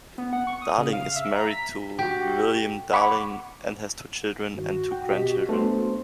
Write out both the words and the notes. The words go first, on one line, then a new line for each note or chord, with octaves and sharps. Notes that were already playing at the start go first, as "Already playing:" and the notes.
Darling is married to William Darling and has two children and two grandchildren.
B3
F#5
C#6
D#6
C#3
F5
E5
A#5
B6
F#4 G4
F#5 B5 C#6 D6 G#6
G2 D#3 F#4
F#5 G5
B2 G4 D#5 B6
A3 B3 D4 A4 C5